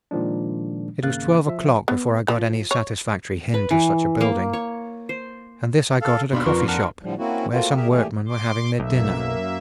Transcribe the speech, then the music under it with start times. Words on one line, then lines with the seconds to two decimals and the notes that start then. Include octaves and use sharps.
It was twelve o'clock before I got any satisfactory hint of such a building, and this I got at a coffee-shop, where some workmen were having their dinner.
0.11 A#2 D#3 F3 G#3 D4
1.03 G#1 C#3 A#3 F5 F#6 A6
1.47 F3 E5
1.88 B3
2.28 F3
2.71 C#5
3.54 B4
3.71 E3
4.21 A#3
4.53 C#5
5.09 C5
6.01 A4 F5
6.33 D#2 B2 D4 B5 C6
6.46 F2 F4 A#4 B4 C#6
6.68 A#4 F#5 A5 F6
7.03 A2 D3 F3 G3
7.18 A#3 C4 C#4 E4 F#4
7.53 A3 A#3 C4 F4 F#4
7.76 G4 G#4 A#4 E5
7.90 A#2 E3 A3 G4 G#4
8.27 C6 D6
8.80 B1 F#2 A#3 E5